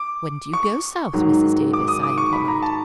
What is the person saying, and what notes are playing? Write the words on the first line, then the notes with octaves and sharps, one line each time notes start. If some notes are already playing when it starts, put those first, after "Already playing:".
"When do you go South, Mrs. Davis?" I inquired.
Already playing: D6
C#6
G#2 D#3 F#3
D6
D#6
D6
C#6
B5
A#5
A5